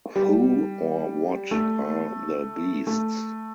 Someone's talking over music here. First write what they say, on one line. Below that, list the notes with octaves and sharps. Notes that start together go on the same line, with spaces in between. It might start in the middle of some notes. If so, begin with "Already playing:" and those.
Who, or what are the 'beasts'?
G3
A3
A3